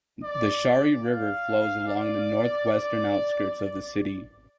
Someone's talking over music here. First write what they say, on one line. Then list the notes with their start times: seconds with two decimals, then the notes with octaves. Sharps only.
The Shari River flows along the northwestern outskirts of the city.
0.23 D5
1.05 F5
1.87 D5
2.70 D5